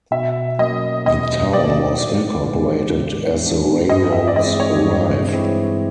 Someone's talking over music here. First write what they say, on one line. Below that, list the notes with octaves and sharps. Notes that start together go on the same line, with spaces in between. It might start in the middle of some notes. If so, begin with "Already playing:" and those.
The town was incorporated as the railroads arrived.
B2 E5
F#3 A#3 C#4 D#5
B2 D#5
F#3 A#3 C#4 D5
A2
E3 G#3 B3 D4
A2
E3 G#3 B3 D4
G2 D#5
E5
D5
E3 G#3 C4 E4 D#5
C#5
G2
E3 G#3 C4 E4